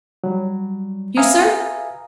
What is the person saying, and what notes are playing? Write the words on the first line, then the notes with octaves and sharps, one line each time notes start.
You, sir?
F#3 G3
B4 E5 F5 G#5 A#5 D#6